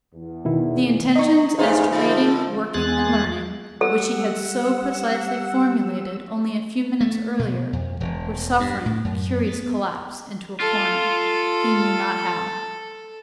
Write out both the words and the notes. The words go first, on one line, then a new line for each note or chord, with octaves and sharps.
The intentions as to reading, working, and learning, which he had so precisely formulated only a few minutes earlier, were suffering a curious collapse into a corner, he knew not how.
E2
B2 D#3 E4
D4 D#4 D#5 C#6
E2 G2 C#3 D#4 F4 G4 G#4 C5
D3 F3 F#3 G#3
E2 G#3 G#4 F#6 A6
G3 A4 F#5 E6
A3
B2
F2
E1
G2
A2
F#2
B3
F4 A4